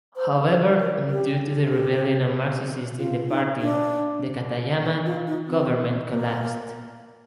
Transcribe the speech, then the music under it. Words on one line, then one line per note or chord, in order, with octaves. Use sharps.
However, due to the rebellion of Marxists in the party, the Katayama government collapsed.
C5
C5
A#4
G4
G4
F4
D#4
D4
D#4
F4
D#4
C4
A#3